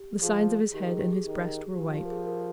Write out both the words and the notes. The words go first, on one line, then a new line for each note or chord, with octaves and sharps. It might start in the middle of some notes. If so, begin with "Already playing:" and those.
The sides of his head and his breast were white.
Already playing: G4
F3 G#4
D#3 G4
G#4
G4
G#4
D#3
F3 G4
G4
A#4
G#4
A#4